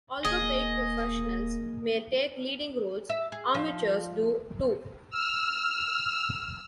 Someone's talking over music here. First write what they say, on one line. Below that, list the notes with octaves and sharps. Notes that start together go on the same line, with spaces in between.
Although paid professionals may take leading roles, amateurs do too.
D#1 A#3 G#4 D#5
E5
G#4
F3
E6 F6